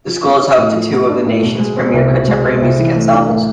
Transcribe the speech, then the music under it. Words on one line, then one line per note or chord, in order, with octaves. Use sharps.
The school is home to two of the nation's premier contemporary music ensembles.
F3
B3
D4
A2
F3
B3
D4
A2
B2
G#3
C4
C2
B2
G#3
C4
C2
E3
A3
D4
A2